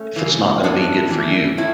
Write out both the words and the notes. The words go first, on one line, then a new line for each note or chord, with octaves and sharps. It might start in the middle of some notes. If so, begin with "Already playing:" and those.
if it's not gonna be good for you.
Already playing: A3 C#4
C#3 E3
A2 B3 D4
E3
A2 C#4 E4